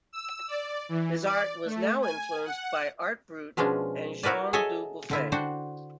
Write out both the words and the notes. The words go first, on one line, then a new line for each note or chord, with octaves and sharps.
His art was now influenced by art brut and Jean Dubuffet.
E6
D5
E3
D5
A3
G#5
F#5
B2 F3 G#3 C#4 D4
E4 F#4 A#4 B4 D5
G#4 A4 C#5 D#5 E5 G#5
D3 E4 F4
D4 F#4 C5 F#5 G5